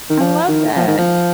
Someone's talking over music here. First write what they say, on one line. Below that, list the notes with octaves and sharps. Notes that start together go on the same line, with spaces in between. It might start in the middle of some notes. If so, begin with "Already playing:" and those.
I love that.
D#3
F3
D#3
F3
D#3
F3